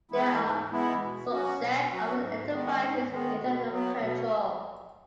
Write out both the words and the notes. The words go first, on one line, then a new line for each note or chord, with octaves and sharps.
They are a subset of an enterprise's internal control.
E3 G#3 B3 E4
G#2
E3 G#3 B3 E4
B2
F#3 C#4 F#4
B2
F#3 C#4 F#4
G#2
D#3 G#3 B3
G#2
D#3 G#3 B3
B2
F#3 B3
B2